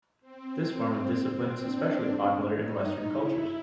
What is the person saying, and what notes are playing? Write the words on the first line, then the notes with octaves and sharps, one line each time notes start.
This form of discipline is especially popular in western cultures.
C4
C4
D4
D#4
E4